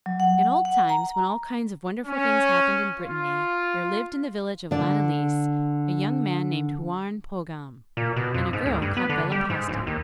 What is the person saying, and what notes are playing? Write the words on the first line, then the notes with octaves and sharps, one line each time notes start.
In old times, when all kinds of wonderful things happened in Brittany, there lived in the village of Lanillis, a young man named Houarn Pogamm and a girl called Bellah Postik.
F#3
F#5
F#5
A#5
C#4
F4
D3 D5
A#2
B2
F2
G#2
D2
G2
B3
D3
G3
G#2
D1
D#2